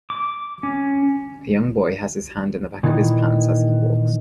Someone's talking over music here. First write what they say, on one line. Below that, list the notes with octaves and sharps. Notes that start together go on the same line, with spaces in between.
A young boy has his hand in the back of his pants as he walks.
D6
C#4
A#2 D#3 E3